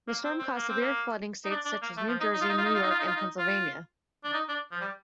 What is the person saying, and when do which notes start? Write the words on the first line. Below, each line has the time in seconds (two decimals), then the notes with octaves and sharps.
The storm caused severe flooding states such as New Jersey, New York, and Pennsylvania.
0.08 A#3
0.24 C4
0.39 C4
0.56 A#3
0.69 C4
0.81 A#3
1.45 D#4
1.50 D4
1.65 D4
1.82 A#3
1.97 A3
2.08 F3
2.20 D#4
2.33 D#4
2.41 F4
2.49 D#4
2.58 F4
2.65 D#4
2.75 F4
2.82 D#4
2.90 F4
2.99 D#4
3.07 F4
3.16 D#4
3.38 F4
4.24 D4
4.33 D#4
4.49 D4
4.72 F3
4.81 G3